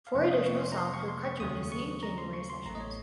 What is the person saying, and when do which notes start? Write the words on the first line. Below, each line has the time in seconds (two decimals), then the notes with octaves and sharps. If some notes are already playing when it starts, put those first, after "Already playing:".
Four additional songs were cut during the same January sessions.
0.07 F5
0.14 F2 C3 F3 A#3 F#5
0.31 D#6
0.46 C#6
0.61 C6
0.72 A#5
0.78 C6
0.94 C#6
1.08 C6
1.25 C#6
1.40 D#2 C#3 F#3 A3 D#6
1.72 C#6
2.03 A#5
2.18 C6
2.33 C#6
2.50 C6
2.66 A1 A2 A3 A#5
2.75 D#5
2.81 C#5